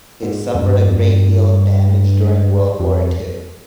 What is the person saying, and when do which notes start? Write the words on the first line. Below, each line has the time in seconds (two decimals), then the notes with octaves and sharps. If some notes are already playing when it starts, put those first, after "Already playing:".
It suffered a great deal of damage during World War II.
0.23 G#2
0.55 F2
0.59 G2
0.88 F2
0.96 G2
2.80 F2